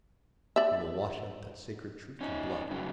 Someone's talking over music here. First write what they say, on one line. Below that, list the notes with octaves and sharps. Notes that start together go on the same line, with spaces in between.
He will wash out that sacred truth in blood.
D5 E5
C#4 D#4
G2 C#3 F#3